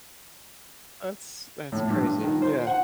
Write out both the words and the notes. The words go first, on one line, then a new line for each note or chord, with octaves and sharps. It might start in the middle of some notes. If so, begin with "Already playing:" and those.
That's that's crazy, yeah.
A2
G2
D#3
C5
F#5